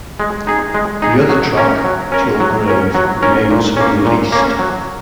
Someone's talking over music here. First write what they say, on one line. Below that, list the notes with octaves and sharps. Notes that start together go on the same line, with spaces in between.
The other track, "To Your Grave", remains unreleased.
G#3
D#4 G#4
G#3
D#4 G#4
F#3
C#4 A#4
F#3
C#4 A#4
F#3
C#4 A#4
F#3
C#4 A#4
A#2
A#3 C#4
A#2
A#3 C#4
F#3